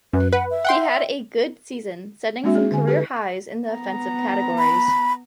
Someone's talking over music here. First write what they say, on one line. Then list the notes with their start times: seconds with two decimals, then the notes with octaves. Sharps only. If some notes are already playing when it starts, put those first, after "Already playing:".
He had a good season, setting some career highs in the offensive categories.
0.13 F#2 B4
0.33 B4 F#5
0.51 E5
0.65 F#5 G5 C6
2.44 G#3 A#3 C4 D4 F#4 E5
2.55 G#4
2.72 D3 G#5
2.87 G4 A4 B4
3.69 B3 A#5
4.58 B5